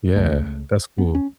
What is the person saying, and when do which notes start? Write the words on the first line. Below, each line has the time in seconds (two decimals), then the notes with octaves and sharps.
Yeah. That's cool.
0.16 C#2 C#3 A3
0.98 B3
1.15 C#4